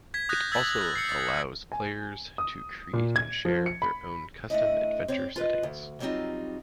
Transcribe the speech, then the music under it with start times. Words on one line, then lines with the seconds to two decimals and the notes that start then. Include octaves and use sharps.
It also allows players to create and share their own custom adventure settings.
0.14 G#6 B6
0.29 D#6 F#6 G6 A#6
0.52 E6 G#6 A6 B6 F#7
0.81 F#6
0.95 C7 C#7
1.09 A6
1.72 G#5
2.38 D#6
2.93 A#2
3.16 G#6
3.45 F3
3.66 C#7
3.82 B5
4.50 A3 D4 E4 D#5
5.08 C4 C#5 D5
5.36 F4 B4 D#5
5.63 D2
6.00 F#3 G3 C4 D#4 F4